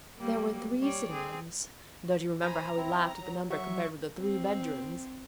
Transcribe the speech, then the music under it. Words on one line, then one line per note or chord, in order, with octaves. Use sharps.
There were three sitting-rooms; don't you remember how we laughed at the number compared with the three bed-rooms?
F#3 G3 A#3
G3 C#5 D5
C4 G#4
C5 G#5 A#5 B5
C4 E4
F#3
F#3 E5 C#6
C4